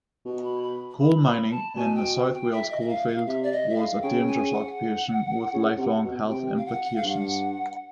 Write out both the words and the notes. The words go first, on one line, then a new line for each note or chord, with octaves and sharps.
Coal-mining in the South Wales coalfield was a dangerous occupation with lifelong health implications.
B2
B5
B5
B5
B5
A5
B2 G#5
G5
G5
E5
D#5
E5
F5
F5
C3 E5
D5
D#5
E5
F5
C#3 G5
G#5
F#5
C#3
C3
B2
C3 G5
F5
F#5
F#5
F5
G2
F#5